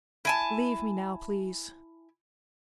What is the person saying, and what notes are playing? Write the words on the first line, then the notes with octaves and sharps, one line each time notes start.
Leave me now, please.
E4 G#5 A5